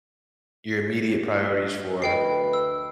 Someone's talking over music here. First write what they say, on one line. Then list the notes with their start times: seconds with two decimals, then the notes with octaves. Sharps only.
Your immediate priorities for,
2.02 D2 B4 D#5 G5 C7
2.53 E6